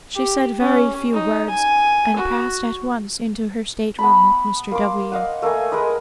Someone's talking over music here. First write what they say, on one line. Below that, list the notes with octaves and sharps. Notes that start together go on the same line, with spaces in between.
She said very few words, and passed at once into her state-room with Mr. W.
G4
C#4
D#4
G#5
F#4
B3 A5 B5
A#3 C6 D6
D#5 F5 F#5
A3 A#3 A#4 G#5
G#3 A#4 B4 D#5